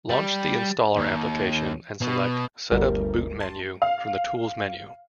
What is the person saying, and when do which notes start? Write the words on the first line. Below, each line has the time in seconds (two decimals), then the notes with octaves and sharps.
Launch the Installer application and select "Set up boot menu" from the Tools menu.
0.10 G3
0.96 D#2
2.01 B2
2.72 G1 D2 G3 A#4
3.40 A5 C6
3.82 F5